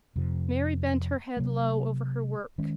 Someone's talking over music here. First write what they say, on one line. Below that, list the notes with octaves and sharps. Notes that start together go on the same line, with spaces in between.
Mary bent her head low over her work.
F2 C3 F3
C3 F#3 A#3
D#3 G#3 C#4